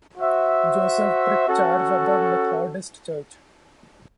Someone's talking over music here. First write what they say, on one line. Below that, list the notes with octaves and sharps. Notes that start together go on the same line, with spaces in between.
Joseph Pritchard of the Methodist church.
F#4 C5 E5
C#4 F#4 A4